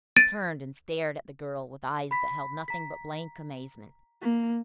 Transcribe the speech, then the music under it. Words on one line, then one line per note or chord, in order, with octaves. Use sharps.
He turned, and stared at the girl with eyes that held nothing but blank amazement.
A6 D7 D#7
B5 B6
A#5 B6
A#3